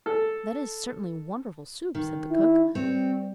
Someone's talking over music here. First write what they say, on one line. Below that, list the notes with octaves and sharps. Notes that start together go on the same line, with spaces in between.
'That is certainly wonderful soup!' said the cook.
A4
D#3
E4
G3 C4 C#5